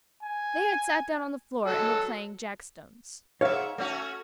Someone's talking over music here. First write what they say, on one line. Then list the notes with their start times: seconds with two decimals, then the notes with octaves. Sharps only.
They had sat down on the floor, and were playing jack-stones.
0.23 G#5
1.67 F#3 G#3 A4
3.41 G#2 C#5 E5 F5
3.78 A3 C#4 F#4